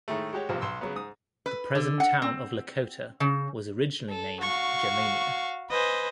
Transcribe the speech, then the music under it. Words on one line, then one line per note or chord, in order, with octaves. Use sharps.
The present town of Lakota was originally named Germania.
A2 D#3 G#3 A3
G#3 F#4 G4 C#5
B1 C3 F3 A#3
B1 C6 E6
C#3 F#3 B3
G#2 D#6
B4
D3
F#5
C4
C#3
A4
F#4 F5 C#6
B4 C5 D#5 G#5